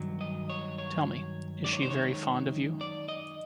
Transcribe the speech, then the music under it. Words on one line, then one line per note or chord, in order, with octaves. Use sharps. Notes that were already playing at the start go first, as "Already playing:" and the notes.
Tell me, is she very fond of you?
Already playing: G2 D#3 F#3
D#5
C#5
C#5
F#2 D#3 G#3 D5
C#5
C5
C#5
D5
D#5